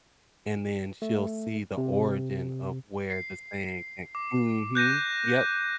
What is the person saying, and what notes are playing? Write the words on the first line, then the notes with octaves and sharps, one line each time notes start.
and then she'll see the origin of where the saying came Mhm, yep,
A3
C3
C7
D6
F#6 G6 A#6 D#7